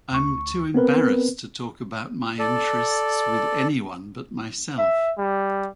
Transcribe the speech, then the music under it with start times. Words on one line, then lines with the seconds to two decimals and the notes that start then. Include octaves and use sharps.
I’m too embarrassed to talk about my interests with anyone but myself.
0.12 D2 C#6
0.74 B3 C4 A#4 B4
2.39 A4 D5
4.79 E5
5.18 G3